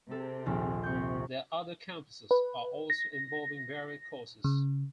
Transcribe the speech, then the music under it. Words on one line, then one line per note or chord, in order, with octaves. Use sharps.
Their other campuses are also involving varied courses.
C3 A4
A#1 D#2
C3 C#6 G6
B4
A#6
C#3